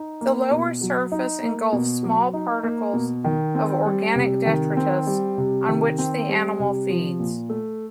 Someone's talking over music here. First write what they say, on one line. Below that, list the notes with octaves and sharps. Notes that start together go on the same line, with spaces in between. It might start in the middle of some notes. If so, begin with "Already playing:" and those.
The lower surface engulfs small particles of organic detritus, on which the animal feeds.
Already playing: D#4
A#3
B2
F#3
D#4
A#3
B2
F#3
D#4
A#3
B2
D#3
C4
G3
C3
D#3
C4
G3
C3
D#3
C4
G3
C3
F3
A#2
A3